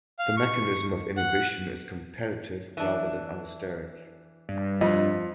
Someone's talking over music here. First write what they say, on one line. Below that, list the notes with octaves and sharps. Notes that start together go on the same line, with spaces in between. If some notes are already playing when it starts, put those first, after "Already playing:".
The mechanism of inhibition is competitive rather than allosteric.
F5
C#6
F#5
E3 D4
G2
F2 D#5